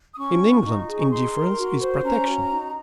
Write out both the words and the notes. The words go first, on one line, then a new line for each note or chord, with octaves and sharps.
In England, indifference is protection.
D#6
C#4 C#6
F4
D#4
G#4
C#6
D#4 C6
A#4
F#4
C5
C#4 A#5
F#4
D#4